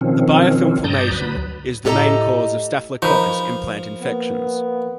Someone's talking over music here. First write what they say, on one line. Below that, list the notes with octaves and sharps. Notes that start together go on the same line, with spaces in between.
The biofilm formation is the main cause of "Staphylococcus" implant infections.
B2 D#3 F3 C4 C#4
G2 D5 A5 A#5 D#6 G6
D2 F#3 B4 B5
A2 G4 A4 C#5 D#5 A#5
F3 D#4 A#4 B4
A#3 B3